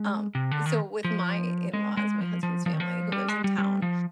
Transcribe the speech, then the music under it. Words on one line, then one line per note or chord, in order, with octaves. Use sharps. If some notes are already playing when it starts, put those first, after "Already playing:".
Um, so with my in-laws, my husband's family who lives in town,
Already playing: G#3
C3
D3
D#3
F3
G#3
G#3
F3
F3
F3
D#3
F3
G3
G#3
G3
G3
F3